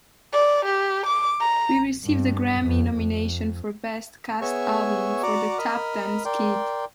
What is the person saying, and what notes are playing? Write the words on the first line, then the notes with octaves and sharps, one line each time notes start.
He received a Grammy nomination for best cast album for "The Tap Dance Kid".
D5
G4
D6
A#5
G2
F2
F2
B3 G#4 C#5 E5 C#6
F#4 D5 F#5 A#5 D6
A#4 D#5 B5 D#6 F6
A#4 D5 G5 C6